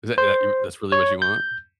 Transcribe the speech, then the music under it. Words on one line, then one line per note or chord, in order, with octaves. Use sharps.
Is that that that's really what you want?
C5
C#5
G6